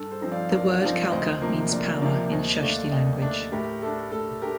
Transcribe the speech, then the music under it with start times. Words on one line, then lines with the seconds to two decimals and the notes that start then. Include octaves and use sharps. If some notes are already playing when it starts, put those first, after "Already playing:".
The word Kalka means power in Shashthi language.
Already playing: G2 A4
0.11 A4 C5
0.21 F3 C4 D#4
0.32 D5 F5
0.51 G2 A#4 D5
0.82 F3 C4 D#4 D5 F5
1.11 D2 C5 D#5
1.42 C3 F3 A#3
1.71 D2 A#4 D5
2.02 C3 F3 A#3
2.32 D#2 C5 D#5
2.62 D3 A3 D4 D5 F5
2.92 D#2 D#5 G5
3.22 D3 A3 D4
3.52 A2 G4 A#4
3.82 A3 D4 A4
4.12 A2 A4
4.42 A3 D4 G4 A#4